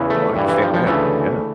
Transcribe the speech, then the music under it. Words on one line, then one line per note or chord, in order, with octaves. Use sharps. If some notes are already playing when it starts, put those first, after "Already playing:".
No, I understand that. Yeah.
Already playing: E2 C#3 E3
A3
G2 E3
E3
F3
F3
D2 C#3 E3 A3